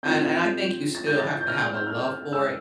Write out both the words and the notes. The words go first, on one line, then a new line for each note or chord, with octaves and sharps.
and and I think you still have to have a love for it.
A2 F3 C4 G6
A6
G6
A6
G6
F6
G6
G6
F6
E6